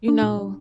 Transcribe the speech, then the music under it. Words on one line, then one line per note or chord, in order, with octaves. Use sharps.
You know
D4
A#2
G3